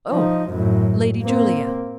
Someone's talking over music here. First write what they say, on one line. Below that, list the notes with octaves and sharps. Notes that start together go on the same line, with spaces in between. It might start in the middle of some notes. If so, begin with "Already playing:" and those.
"Oh, Lady Julia!"
F3 D#4
F#2 A2
A#3 C4